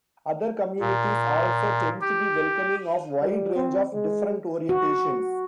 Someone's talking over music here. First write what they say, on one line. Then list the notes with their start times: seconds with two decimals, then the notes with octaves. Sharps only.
Other communities also tend to be welcoming of wide range of different orientations.
0.80 A#2
2.02 G4
3.22 G3
3.55 C4
3.93 G#3
4.69 F#4